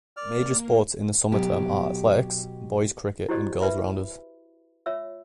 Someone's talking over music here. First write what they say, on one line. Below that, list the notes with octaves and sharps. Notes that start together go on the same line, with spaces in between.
Major sports in the summer term are athletics, boys' cricket and girls' rounders.
A#3 A#4 D5 F6
B2 F#3 G4
E4 F#4 G4 C5 D5 D#5
B4 E5 B5
F4 C#5 E5 E6